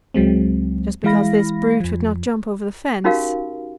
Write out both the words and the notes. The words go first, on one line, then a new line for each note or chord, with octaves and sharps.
"Just because this brute would not jump over the fence."
C#2 F#3 G#3 C4
E3 G#3 E4 F5 B5 A#6
F2 F3
C#4 D#4 F#4 G4 A#4 F5